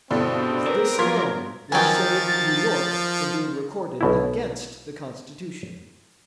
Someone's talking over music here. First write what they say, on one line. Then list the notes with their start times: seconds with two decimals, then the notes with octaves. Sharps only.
It was this alone which saved New York from being recorded against the Constitution.
0.11 G2 B2 D3 C4 E4 F#4 A4
0.67 A#4 B4 D5
0.99 F3 F#3 B3 F4 C6 G#6 B6
1.72 D#3 F3 F#3 B4 G5 G#5 A6
4.01 B1 B2 E4